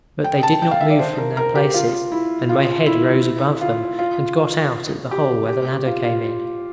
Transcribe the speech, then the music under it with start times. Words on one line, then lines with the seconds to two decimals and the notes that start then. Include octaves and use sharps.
But they did not move from their places, and my head rose above them, and got out at the hole where the ladder came in.
0.24 G5
0.43 A5
0.62 G5
0.71 F5
0.80 E5
0.90 D5
0.99 C5
1.18 A#4
1.37 A#4
1.55 G4
1.74 F4
2.12 E4
2.49 F4
2.86 E4
3.61 F4
3.99 F4
5.11 G4
5.48 G4
5.87 F4
6.04 F4